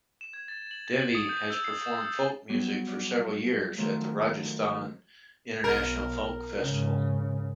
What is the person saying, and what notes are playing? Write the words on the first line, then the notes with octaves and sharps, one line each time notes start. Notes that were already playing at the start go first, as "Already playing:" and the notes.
Devi has performed folk music for several years at the Rajasthan International Folk Festival.
E7
G#6
A6
F#7
A6
F#7
D#6
G6
E6
C7
E7
E6
F#3 G3 B3
D5
D#3 F3 F#3 A3
B1 A#4
G#2 C#3